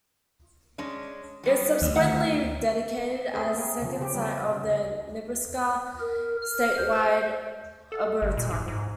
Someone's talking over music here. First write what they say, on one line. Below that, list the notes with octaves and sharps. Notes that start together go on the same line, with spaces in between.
It was subsequently dedicated as the second site of the Nebraska Statewide Arboretum.
G#3 C#4 D4
F#3 G3 B3
D2
D#3 F#5
A3 C4 G#4
A#3 G#4
C#3 F3
C#3 G4
G3 B3
C#3
A#4
F6
C5
A4
G1
A#2
G#2
G#2